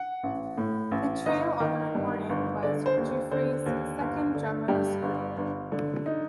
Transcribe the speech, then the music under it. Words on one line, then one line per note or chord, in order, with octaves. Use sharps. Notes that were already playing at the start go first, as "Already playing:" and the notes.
The trio on the recording was Giuffre's second drummerless group.
Already playing: F#5
A1
A2
A1
G1 D#5
D#3
G2
G1
D3 D5
C5
D#2
C5
D3 C5
D#2
G1
D3
G2 G4
G1
G1
D3
D#4